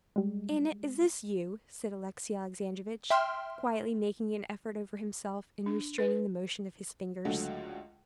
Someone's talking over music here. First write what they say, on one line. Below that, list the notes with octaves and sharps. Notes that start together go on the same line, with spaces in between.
"Anna, is this you?" said Alexey Alexandrovitch, quietly making an effort over himself, and restraining the motion of his fingers.
G3 G#3
E5 G5 C6 F6
D4
B4
C#2 D3 F#3 A3